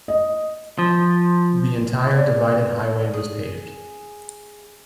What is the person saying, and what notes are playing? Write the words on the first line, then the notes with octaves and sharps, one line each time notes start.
The entire divided highway was paved.
D#5
F3
D3
G#4